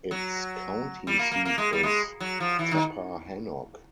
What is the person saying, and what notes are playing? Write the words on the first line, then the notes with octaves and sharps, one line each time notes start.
Its county seat is Tappahannock.
F#3
G3
A#3
A#3
A#3
G#3
G3
G#3
F#3
F3
E3
D#3